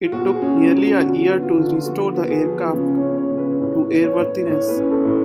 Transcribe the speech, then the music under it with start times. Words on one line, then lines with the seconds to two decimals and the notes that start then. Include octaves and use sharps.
It took nearly a year to restore the aircraft to airworthiness.
0.05 F4
0.12 B2 F#4
0.34 G#4
0.42 C#4
0.56 F#4
0.70 B2
0.78 F#4
0.99 D3 F#4
1.21 F#4
1.29 B3
1.43 F4
1.57 D3
1.64 F4
1.86 F3 F#4
2.15 B3
2.30 G#4
2.44 F3
2.73 C#3
2.95 C#5
3.02 C#4
3.17 C#5
3.31 C#3
3.38 B4
3.60 A2 C#5
3.89 B3
4.03 C#5
4.18 A2
4.47 A2 C#5
4.68 B4
4.76 C#4
4.90 A4
5.05 A2